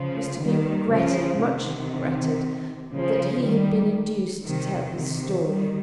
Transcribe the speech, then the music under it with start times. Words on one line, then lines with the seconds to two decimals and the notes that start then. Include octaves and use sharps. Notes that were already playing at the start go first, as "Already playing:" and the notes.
It was to be regretted,--much regretted,--that he had been induced to tell his story.
Already playing: C#3 F3
0.42 D#3 G3
0.92 C#3 F3
1.42 C3 D#3
2.94 C#3 F3
3.43 D#3 G3
4.44 C3 D#3
4.95 C3 D#3
5.45 D#3 G3